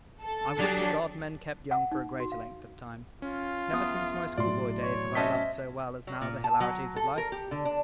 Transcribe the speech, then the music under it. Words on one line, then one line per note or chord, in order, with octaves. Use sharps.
I would to God men kept young for a greater length of time. Never since my school-boy days have I loved so well as now the hilarities of life.
A4
F#3 D4 G4 G#4
F#5
D#4
F#4
F5
C#4 F4
E2 D#6
A2 F#3 F#4 D5 C6
C#5
C#4 C5 D#5 E5 A5 B6
F#3
A#2
A5
F#3
A4
A#4
G4
D3
D4